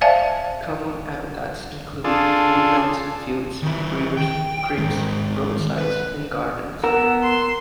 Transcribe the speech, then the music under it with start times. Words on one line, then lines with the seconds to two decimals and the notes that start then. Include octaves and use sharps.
Common habitats include woodlands, fields, rivers, creeks, roadsides, and gardens.
0.01 C5 D5 E5 F5 G#5 A5
2.04 D4 F4 G#4 A4
3.63 D#3 E4
4.17 G5
4.78 D#3 G#3
5.78 B4
6.84 B3 A#4 F#5 E6 E7
7.23 C6